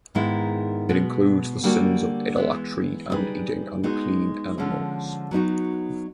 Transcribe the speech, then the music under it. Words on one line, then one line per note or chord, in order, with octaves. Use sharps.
It includes the sins of idolatry and eating unclean animals.
G#2 D#3 G#3 B3 E4
B2 G#3 B3
D3 G3 A#3 D4 F#4
E3 G#3 B3
G3 B3 D#4 G#4 B4
G#3 B3 D#4 F#4
D3 F3 G#3 C#4
F#3 B3 D#4 F#4